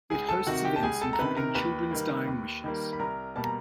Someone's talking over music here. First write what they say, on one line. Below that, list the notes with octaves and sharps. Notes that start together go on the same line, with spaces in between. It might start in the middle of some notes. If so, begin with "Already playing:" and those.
It hosts events including children's dying wishes.
C#2 G#4 G#5
A4 A5
C3 D#3 F#4 F#5
G4 G5
A5
C#2 G#4 G#5
A4 A5
A#5
C3 D#3 B4 B5
A#4 A#5
D#2 B4 B5
D#3 G3 A#3
D#2
D#3 G3 A#3
B5
C2 A#4 A#5
B2 G3 A#3 A5
A#5